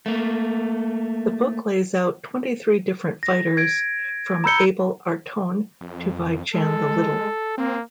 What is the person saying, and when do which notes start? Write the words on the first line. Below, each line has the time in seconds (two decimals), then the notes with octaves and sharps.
The book lays out twenty-three different fighters from Abel Artone to Vychan the Little.
0.06 A3 A#3
3.23 A#6
3.57 G#6 D7
4.44 A#5 B5 E6 G6 C#7 G7
5.81 F2
6.54 G#3 A4
7.58 A#3 C4